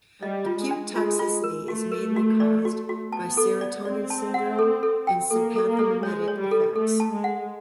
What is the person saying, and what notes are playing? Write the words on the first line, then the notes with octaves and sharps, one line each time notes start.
Acute toxicity is mainly caused by serotonin syndrome and sympathomimetic effects.
G3 D#5
F4
G#3
D4
G#3 F4
F4
A#4
A3 F#4
A#4
F#4
D5
F#4
F#4
B3 A5
A4
D5
C4 D5
A5
F#5
A4
A4
G5
A#3 A4
A4
A#3
A4
G#3 C#5
C#5
G3
A4
A3 A4
A5
G#3
F#5